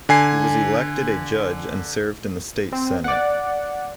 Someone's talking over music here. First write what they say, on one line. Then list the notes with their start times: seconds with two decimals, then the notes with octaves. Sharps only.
He was elected a judge and served in the state senate.
0.09 D3 G#5 C7
2.72 C4
3.04 D5 F#5